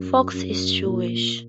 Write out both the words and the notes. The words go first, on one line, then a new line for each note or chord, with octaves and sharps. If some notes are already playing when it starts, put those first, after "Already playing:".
Fox is Jewish.
Already playing: F#2
F#2
A#2